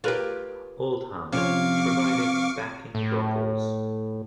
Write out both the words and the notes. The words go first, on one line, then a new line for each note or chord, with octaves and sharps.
Oldham provided backing vocals.
F4 G4 A#4 B4 C#5
C3 F3 C#4 F4 C#5 F5 C#6 D6
A2